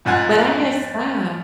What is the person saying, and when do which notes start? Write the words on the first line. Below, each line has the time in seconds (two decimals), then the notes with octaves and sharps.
But I had stop.
0.05 F2 G#2 F4 F#5 G#5